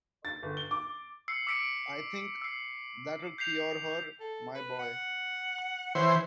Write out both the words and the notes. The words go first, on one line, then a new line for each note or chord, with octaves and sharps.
I think that will cure her, my boy.
A6
G1
G7
D6
E6 C7 C#7
D6 E6 B6 C#7 D7
E6 C7
G6 B6 C7 F7
A4
B4
F#5
E3 C5 C#5